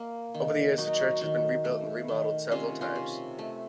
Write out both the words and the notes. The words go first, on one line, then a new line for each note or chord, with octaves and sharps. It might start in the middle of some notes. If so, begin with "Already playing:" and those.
Over the years the church has been rebuilt and remodeled several times.
Already playing: A#3
D#3
F#3 D#4 F#4
D#3
A3
D#3
C3 C#4 F4
C#4 F4
C3
A3